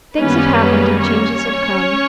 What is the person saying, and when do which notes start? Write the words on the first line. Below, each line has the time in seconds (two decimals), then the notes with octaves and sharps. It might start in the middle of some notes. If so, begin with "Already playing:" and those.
Things have happened, and changes have come.
0.17 F#2 D#3 G3 A#3 B3 C#4 B4
1.00 C#4 C#5